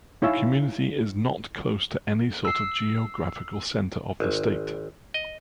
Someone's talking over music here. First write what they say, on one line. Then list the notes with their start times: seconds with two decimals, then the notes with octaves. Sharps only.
The community is not close to any sort of geographical center of the state.
0.22 D#4 E4 C#5 F5 G#5 E6
2.45 E6 C7
4.20 G#1
5.14 D#5